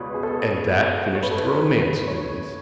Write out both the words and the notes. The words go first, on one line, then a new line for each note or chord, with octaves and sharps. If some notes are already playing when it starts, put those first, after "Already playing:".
"And that finished the romance, Louise."
Already playing: C#2 B2 B4 C#5 D5
G#4
A4
C#5
B4
A4
B4
C#5